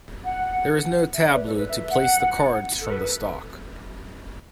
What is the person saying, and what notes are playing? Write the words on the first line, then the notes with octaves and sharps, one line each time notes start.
There is no tableau to place the cards from the stock.
F#5
E5
D5
B4
A4
B4
E5
F#5
A4
B4
B4